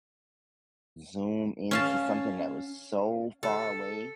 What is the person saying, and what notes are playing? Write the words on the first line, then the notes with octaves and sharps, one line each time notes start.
zoom into something that was so far away
C#4 F5 A5
A4